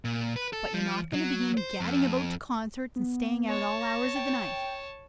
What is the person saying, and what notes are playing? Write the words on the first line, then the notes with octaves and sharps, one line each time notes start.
But you're not going to begin gadding about to concerts and staying out all hours of the night.
A#2
B4
A4
F3
F#3
C5
F2
B3
C#5 A5
A#6
G5